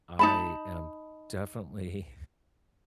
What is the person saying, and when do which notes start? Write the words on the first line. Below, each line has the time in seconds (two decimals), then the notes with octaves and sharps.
I am definitely
0.19 D#4 A5 B5